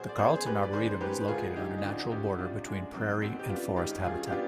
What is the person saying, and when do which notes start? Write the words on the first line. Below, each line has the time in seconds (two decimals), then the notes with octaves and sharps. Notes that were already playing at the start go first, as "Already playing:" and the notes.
The Carleton Arboretum is located on a natural border between prairie and forest habitat.
Already playing: B1 B2 G#4 C5
0.09 D5
0.18 B3 G#4 C5
0.37 G#4
0.46 G#2 G4 B4
0.63 D5
0.73 D#3 G#4 C5
1.01 G#2 G4 B4
1.20 B4
1.28 D2 F4 G#4
1.56 D3 D#4 G4
1.78 D#4
1.84 D2 D4 F4
2.11 D2 D#4 G4
2.38 C3 D4 F4
2.66 G#3 D4
2.95 B1 C4
3.21 B2 C4 D#4
3.39 G4
3.49 B3 D4 F4
3.76 G#1 D#4 G4
4.05 G2 F4 G#4
4.27 G4
4.32 B3 D4 F4